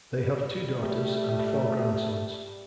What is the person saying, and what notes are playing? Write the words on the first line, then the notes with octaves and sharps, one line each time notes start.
They have two daughters and four grandsons.
G3
A3